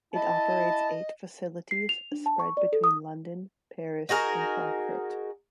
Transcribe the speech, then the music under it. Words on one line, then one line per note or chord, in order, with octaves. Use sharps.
It operates eight facilities spread between London, Paris and Frankfurt.
E4 D#5 A5
C7
F7
D4
A5
C#6
D5
A4
D#6
D#4 F#4 G#4 A#4